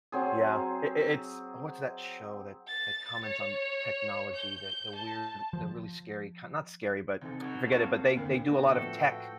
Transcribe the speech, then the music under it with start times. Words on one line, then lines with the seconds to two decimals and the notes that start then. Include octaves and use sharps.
Yeah, i i it's What's that show that that comments on technology, that the weird the really scary, kind not scary, but I forget it, but they they do a lot of tech,
0.12 F#3 C4 G#4
2.67 A6
3.23 C#5
4.34 G6
4.94 A5
5.53 F3
7.21 E2 C3 D#4 A4
7.40 B2 F#3
7.67 A#3 C4 A4 F5 A5 C#6
8.16 D#2 D3
8.47 A2 B3 D4 F#4 G5
8.73 F3 A3 A4 B4